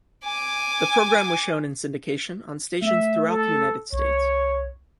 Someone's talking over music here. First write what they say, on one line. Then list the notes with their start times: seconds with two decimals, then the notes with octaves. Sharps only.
The program was shown in syndication on stations throughout the United States.
0.25 G#5 D6
2.82 A3 E5
3.28 A4
3.93 C2 C#5